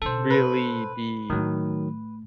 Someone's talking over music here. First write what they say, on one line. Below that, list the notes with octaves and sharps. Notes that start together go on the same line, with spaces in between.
really be
B2 D4 A4 C5
B4
A2 D#3 F#3 A3